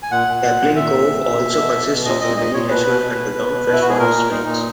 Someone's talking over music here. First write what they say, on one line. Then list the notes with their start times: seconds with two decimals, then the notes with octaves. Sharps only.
Caplin Cove also consists of many natural underground fresh water springs.
0.03 G#5
0.11 A#2 F#5
0.28 A#2
0.44 A#2
0.61 A#2
0.76 A#2 E5
0.92 A#2
1.09 A#2
1.24 A#2
1.41 B2
1.57 B2
1.73 B2
1.89 B2
2.05 A#2 D#5
2.21 A#2 D#5
2.37 A#2 D#5
2.53 A#2 C#5
2.70 B2 B4
2.86 B2
3.01 B2
3.18 B2
3.35 B2
3.51 B2
3.66 B2
3.72 E4
3.81 B2 F#4
3.89 G#4
3.99 A#2 A#4
4.16 A#2
4.31 A#2 D#4
4.47 A#2